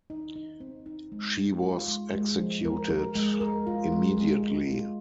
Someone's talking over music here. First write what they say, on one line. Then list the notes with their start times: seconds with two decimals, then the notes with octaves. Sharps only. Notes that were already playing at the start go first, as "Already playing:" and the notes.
She was executed immediately.
0.10 D#4
0.36 D#4
0.60 C4
0.86 D#4
1.12 G#3
1.38 D#4
1.63 F4
1.88 G#3
2.13 G#3
2.39 F3
2.65 A#4
2.90 A#4
3.16 G#3
3.40 A#4
3.67 F4
3.92 G#3
4.18 G#3
4.43 G#3
4.68 F4